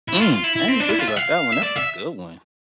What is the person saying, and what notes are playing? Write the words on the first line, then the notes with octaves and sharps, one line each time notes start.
Mm, I didn't think about that one. That's a good one.
E4
F4
F4
E4
E4
C4
D4
E4
F4
E5
F5
E5
D5
E5